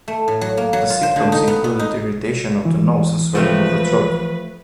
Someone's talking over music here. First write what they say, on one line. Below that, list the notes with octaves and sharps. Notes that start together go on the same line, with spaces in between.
The symptoms included irritation of the nose and swelling of the throat.
A3
A2
F#3
A#3
F#3
F4
C5
D3
D#4
B3
B3
D#4
E3
F3 A3 C4 B4